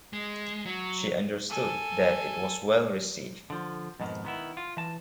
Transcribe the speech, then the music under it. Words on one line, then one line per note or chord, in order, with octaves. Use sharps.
She understood that it was well received.
G#3
F#3
A4 G#5
D3 F3
F2 G#2 B2 D#3
D#3 B3 E4
F4
E3 A5